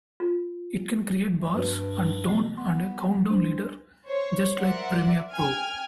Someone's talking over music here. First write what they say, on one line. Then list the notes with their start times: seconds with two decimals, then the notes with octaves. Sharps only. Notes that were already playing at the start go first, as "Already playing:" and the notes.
It can create bars and tone and a countdown leader, just like Premiere Pro.
0.20 F4
1.38 A3
1.54 G2 F#4 B4
2.25 B2 E3 B3
2.57 B3 C6
3.30 D4 C5
4.06 C5 C#5
4.59 A#4 C5 D5 E5 F#5
5.30 G5 G#5 F6 G#6